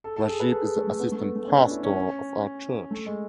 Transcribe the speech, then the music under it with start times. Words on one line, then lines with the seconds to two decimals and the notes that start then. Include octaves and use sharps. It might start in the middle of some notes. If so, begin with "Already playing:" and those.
Rajib is the assistant pastor of our church.
0.04 A4
0.16 A4
0.28 G#4
0.40 B4
0.52 A4
0.64 G#4
0.76 A3
0.87 A3
1.00 B3
1.12 A3
1.24 B3
1.36 A3
1.47 C#4
1.59 D4
1.71 E4
1.83 C#4
2.91 A3
3.06 G#3